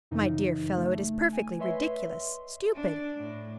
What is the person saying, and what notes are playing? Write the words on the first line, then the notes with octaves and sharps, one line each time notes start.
My dear fellow, it is perfectly ridiculous--stupid!
F#2 C#3 E3 D#4
A3
G#5
B4 C#5 D#5 E5 C6
D4
A2